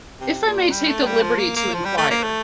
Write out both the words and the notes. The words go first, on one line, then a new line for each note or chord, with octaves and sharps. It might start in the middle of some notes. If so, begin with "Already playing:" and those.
If I may take the liberty to inquire.
C3
A#2
G3
A3
G3
F3
A#3
A#3
F3
G3
A3
A#3
A3